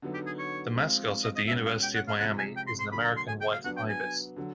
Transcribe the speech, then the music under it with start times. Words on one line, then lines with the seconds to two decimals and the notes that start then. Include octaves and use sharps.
The mascot of the University of Miami is an American white ibis.
0.02 D3 F#3 B3 D#4
0.14 G4
0.26 G#4
0.38 C#5
0.76 F3 G#3 C4 F4
1.24 D#5
1.36 D#5
1.48 B2 G#3 C#4 F#4 E5
1.66 F5
1.83 G5
1.96 F#5
2.08 F5
2.19 C3 F3 G#3 F#5
2.38 G#5
2.57 G5
2.67 C6
2.79 C6
2.92 D3 F#3 A#3 D4 B5
3.04 A#5
3.17 C6
3.28 G#5
3.41 G5
3.53 F5
3.64 F#3 B3 D4 F#5
3.77 G5
3.89 G#5
4.36 D3 F#3